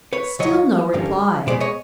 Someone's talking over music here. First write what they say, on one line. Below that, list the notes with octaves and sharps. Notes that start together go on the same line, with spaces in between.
Still no reply.
B4 C#5
D#2 D#3 F#3 C#5 D#5
G2 D3 G3 A#3 C#4
B2 G#3 B3 C5 D5
C#5 D#5